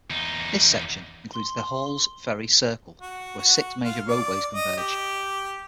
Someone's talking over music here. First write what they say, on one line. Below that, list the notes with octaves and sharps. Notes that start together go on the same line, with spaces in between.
This section includes the Halls Ferry Circle, where six major roadways converge.
E2 D#4
C6
F#4
F#4
F4
D5
D#5
G4